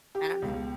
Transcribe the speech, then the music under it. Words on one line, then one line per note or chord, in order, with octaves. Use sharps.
I don't know.
G4
C#2 B2